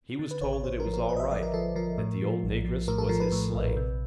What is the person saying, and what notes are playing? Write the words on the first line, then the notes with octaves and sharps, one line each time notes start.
He was told that it was all right; that the old negress was his slave.
D3
B4
A1 C#5
C#5
A1 C5
A#4
F3
A#4
A1 B4
D#5
E5
F3 D5
A#4
F3 A4
F3 A#4
A2
F3
A#1
F3
A2 A#4
A4
F3 A#4
B4
A2
A#1
C3